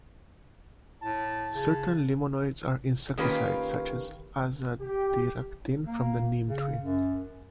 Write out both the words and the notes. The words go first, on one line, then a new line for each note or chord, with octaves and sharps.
Certain limonoids are insecticides such as azadirachtin from the neem tree.
A2 A5
C#3
D#3 A#3 C#4 F4 G4 B4
G4
A#3
C#3
F#2